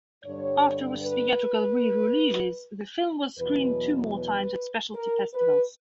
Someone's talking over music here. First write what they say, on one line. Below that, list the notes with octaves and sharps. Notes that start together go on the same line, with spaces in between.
After its theatrical re-releases, the film was screened two more times at specialty festivals.
G2 D3 G3 C#5
B4
E2 B2 F#3 B4
B4
A#4
B4